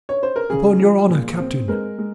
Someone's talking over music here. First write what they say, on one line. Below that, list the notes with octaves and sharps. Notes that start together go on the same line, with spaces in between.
"Upon your honour, Captain."
C#5
C5
A#4
C#3 G#4
F3
A#2
C4
G#3 A#4
G#3